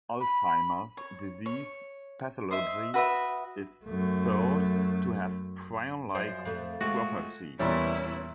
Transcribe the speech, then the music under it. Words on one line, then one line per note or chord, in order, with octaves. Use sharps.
Alzheimer's disease pathology is thought to have prion-like properties.
B5
C#5
C#5
C5 D#5 E5
F#4 B4 E5 D#6
F#2 A3
F#2 F3 C5 D5
F2 A3
G#3 A3 F4 F#4
E2 A#2 E3 G3 C#4 E4 C#5